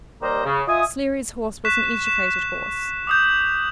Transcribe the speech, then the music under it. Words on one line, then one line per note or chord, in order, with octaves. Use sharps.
Sleary's horse was an educated horse.
D#2 G3 A#3 C5 D#5 A#5
C#3
F4 D#5 E5 G#5 D#6
C#6 F#6 B6 E7
E7
D6 D#6 G6